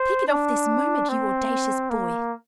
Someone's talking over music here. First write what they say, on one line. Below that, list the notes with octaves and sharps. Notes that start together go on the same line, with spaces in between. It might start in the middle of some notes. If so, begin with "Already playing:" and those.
'Take it off this moment, you audacious boy!
Already playing: C5
D4
C4
A#3